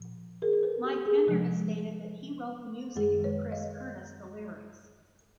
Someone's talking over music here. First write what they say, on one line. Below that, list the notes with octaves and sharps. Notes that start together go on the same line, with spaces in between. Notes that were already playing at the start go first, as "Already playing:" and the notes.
Mike Pender has stated that he wrote the music and Chris Curtis the lyrics.
Already playing: A#2 F3
G#4 A#4
A#4
A4 B4
G4 A4
G#4
C3 F3 G#3
F#2 D#3 G#3 G#4
B4 C#5
D#5 F5